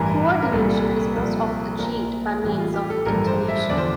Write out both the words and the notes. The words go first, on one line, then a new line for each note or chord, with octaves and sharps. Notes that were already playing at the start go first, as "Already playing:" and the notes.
Coordination is most often achieved by means of intonation.
Already playing: A1 G2 E3 A#4
A#4
C2 A#2 G3 A4
C2 A#2 F3
A#1 A#2 F3 A#4
A1 A2 E3 G3
F4
G4
A4
A1 G2 F3 A#4
C5
E5
E2 D3 F3 D5
C5